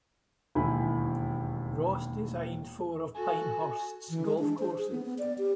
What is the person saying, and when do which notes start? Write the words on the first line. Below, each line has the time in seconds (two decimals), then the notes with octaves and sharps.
Ross designed four of Pinehurst's golf courses.
0.55 E1 D#2 E4 G#5 B5
3.15 F#4 A4 G#5
4.10 E3
4.26 G#3
4.38 D4
4.59 C5
4.78 G#4
4.92 B3
5.05 B3
5.19 D5
5.38 G4